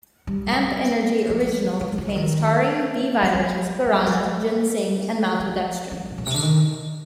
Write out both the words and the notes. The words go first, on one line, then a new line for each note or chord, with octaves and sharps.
Amp Energy Original contains taurine, B-vitamins, guarana, ginseng and maltodextrin.
G3
G3
F3
F3
F3
D3
D#3
G3
F3
G3
G3
F3
F3
A2
A#2
C3
D3
D#3